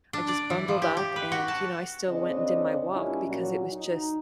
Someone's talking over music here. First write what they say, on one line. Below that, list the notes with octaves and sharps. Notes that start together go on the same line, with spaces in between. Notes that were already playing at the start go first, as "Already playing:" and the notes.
I just bundled up and, you know, I still went and did my walk because it was just,
D4
D5
E3
F3
G4
G4
B4
F#4
A5
F2 C#3 C4 D4 D#5
A#2 G3 C#4 D4 E4 F4
A#2 F#3 F#4
D#4